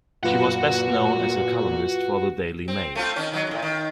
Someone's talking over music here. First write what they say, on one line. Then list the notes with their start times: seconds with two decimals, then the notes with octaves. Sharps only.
She was best known as a columnist for the "Daily Mail".
0.23 F#2 A#2 F4 F#4 B4 F#5
2.68 C4
2.95 A3 C4 F4
3.16 D#3 C#4
3.32 D#3 E3 F#3
3.47 E2 A2
3.62 D#3